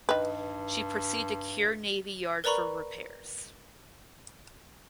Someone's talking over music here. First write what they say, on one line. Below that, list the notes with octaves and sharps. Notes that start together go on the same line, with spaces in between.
She proceeded to Kure Navy Yard for repairs.
G2 D#3 B4
A#4 B4 D5 A#5 B5 C#6